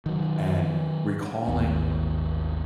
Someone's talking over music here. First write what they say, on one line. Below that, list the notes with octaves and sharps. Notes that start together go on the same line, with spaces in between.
and recalling
D#3 F#3
G#1 D#2 B3